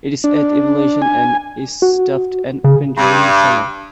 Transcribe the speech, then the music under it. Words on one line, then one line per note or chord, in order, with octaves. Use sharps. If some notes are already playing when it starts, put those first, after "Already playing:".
It is at elevation and is staffed and open during the summer.
D4
G#5
F#4
C#3 G#4
G2